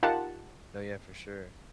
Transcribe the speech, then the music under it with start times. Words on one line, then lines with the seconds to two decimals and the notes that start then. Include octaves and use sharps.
No, yeah, for sure.
0.03 D#4 F4 G4 A#4 F#5 A5